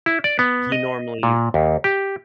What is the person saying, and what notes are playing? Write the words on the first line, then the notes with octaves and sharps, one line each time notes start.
he normally
E4
D5
B3
D#5
A#2
D#2
G4